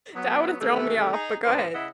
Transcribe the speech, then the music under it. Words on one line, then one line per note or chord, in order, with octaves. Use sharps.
That would have thrown me off, but go ahead.
F#3 B3
C3 D#3 E3 A3
D#4 G#4
G2 A#2 E3 F3 B4 C5
C#3 E4 D#5 E5 F#5